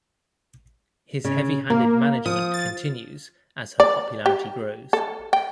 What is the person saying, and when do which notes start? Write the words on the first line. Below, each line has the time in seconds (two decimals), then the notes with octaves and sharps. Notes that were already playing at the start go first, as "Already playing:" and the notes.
His heavy-handed management continues as her popularity grows.
1.24 C#3
1.70 A#3 A#4
2.26 F3 D#6
2.54 A6
3.80 D5
4.26 G4
4.93 A4
5.33 G5